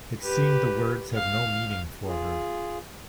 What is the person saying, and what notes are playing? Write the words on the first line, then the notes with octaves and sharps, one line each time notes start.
It seemed the words had no meaning for her.
G4 B4
F5
F4 G#4